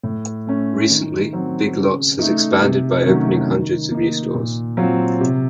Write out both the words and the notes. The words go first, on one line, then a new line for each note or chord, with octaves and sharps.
Recently, Big Lots has expanded by opening hundreds of new stores.
A2
A3 C#4
D#3
F#3 C4
C#3
A3 D#4
C3
D#3 F#3 A3 C#4
D#3
A#3 D#4
A#2
F#3 C4 F4
C3